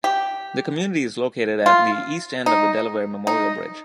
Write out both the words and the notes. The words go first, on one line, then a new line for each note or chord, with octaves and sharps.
The community is located at the east end of the Delaware Memorial Bridge.
G4
F4
D#4
D#4